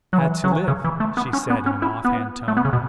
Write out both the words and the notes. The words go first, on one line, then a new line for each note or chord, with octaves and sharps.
"I had to live," she said in an off-hand tone.
F#3
E3
F#3
E3
C#3
E3
A3
B3
C#4
B3
C#4
E4
B3
A3
B3
C#3
B2